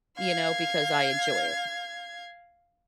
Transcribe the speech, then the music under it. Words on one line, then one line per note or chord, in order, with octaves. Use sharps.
you know, because I enjoy it.
F5 G#6